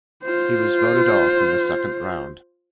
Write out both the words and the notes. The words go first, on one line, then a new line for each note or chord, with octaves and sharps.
He was voted off in the second round.
F4 C5